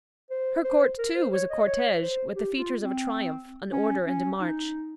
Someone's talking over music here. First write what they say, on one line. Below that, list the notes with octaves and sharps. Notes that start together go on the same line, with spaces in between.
Her court, too, was a cortege, with the features of a triumph, an order and a march.
C5
C5
A#4
C5
C#5
D#5
C#5
C5
G4
F4
C4
C#4
C#4
D#4